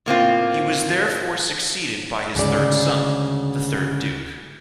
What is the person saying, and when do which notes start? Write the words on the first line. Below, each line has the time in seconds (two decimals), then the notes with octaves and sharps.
He was therefore succeeded by his third son, the third Duke.
0.06 A2 A#3 C4 F4
2.35 D2 G#2 C#3 D5